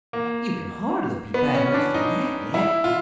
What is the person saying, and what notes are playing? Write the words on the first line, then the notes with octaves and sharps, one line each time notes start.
But you can hardly be bad enough for that yet.
A#3
B3
C#4
D4
D#4
E4
F4